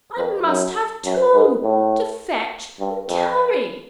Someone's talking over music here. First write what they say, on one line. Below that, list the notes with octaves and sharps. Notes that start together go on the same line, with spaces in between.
'I must have Two--to fetch and carry.
F2
F#2
F#2
G#2
A2
G2
F2